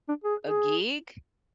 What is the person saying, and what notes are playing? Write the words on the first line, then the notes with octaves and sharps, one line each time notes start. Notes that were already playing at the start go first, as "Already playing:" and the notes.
a gig?
D4
G#4
G#4